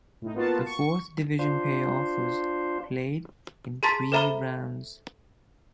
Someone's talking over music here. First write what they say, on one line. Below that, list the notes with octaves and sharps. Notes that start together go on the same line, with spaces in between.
The Fourth Division playoff was played in three rounds.
A2 D#4
A#3 B3 F4 F#4 A5
C#6
D4 F4 C5
G#4 A5 A#5 C6 A6 B6
A4 C5 E5 A#5 B5 G7